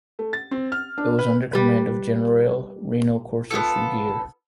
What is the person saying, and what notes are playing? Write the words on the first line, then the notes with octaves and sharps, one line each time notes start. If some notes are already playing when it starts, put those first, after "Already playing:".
It was under command of "Generale" Rino Corso Fougier.
A3
A6
C4
F6
D4
B4
G3 B4
B3 D4 F4 A4